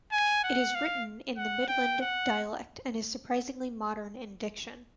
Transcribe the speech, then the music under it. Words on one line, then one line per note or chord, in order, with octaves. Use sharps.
It is written in the Midland dialect, and is surprisingly modern in diction.
G#5
F#5
F5
F#5
G5
F#5